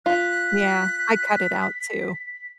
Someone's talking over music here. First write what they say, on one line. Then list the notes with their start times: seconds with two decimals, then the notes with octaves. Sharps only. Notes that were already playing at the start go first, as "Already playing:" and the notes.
Yeah, I cut it out too.
0.06 F4 F#6 B6